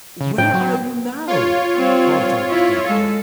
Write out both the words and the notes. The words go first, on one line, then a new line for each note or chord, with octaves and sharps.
"Where are you now?" called out the doctor.
C#3
A2 G5
F#3
F4 C#5
G3 C4
E4
G#3 A4